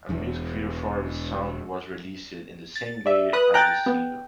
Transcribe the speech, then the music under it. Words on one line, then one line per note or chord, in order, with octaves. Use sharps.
A music video for the song was released the same day as the single.
E1 E2 E3
A6
D5 E5
B4 D#6 F#6
G5 A#5 F#6 A6
B3